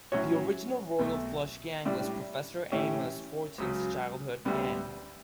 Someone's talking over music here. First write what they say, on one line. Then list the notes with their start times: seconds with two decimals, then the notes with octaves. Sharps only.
The original Royal Flush Gang was Professor Amos Fortune's childhood gang.
0.12 A2 F#3 C#4 F#4 C#5
0.99 B1 B2 A3
1.85 A2 G3 D4
2.72 A2 E3 A3 C#4 G4
3.58 C#2 C#3 F#3
4.45 D2 D3 G3 B3